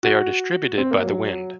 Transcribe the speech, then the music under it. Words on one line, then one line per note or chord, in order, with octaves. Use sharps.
They are distributed by the wind.
F#4
C4
A#3
F#3